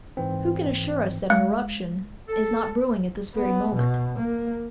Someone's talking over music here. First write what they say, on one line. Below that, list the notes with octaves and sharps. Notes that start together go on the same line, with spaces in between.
Who can assure us that an eruption is not brewing at this very moment?
G#2 E3 C4
G#3
A4
B3
B2
A#3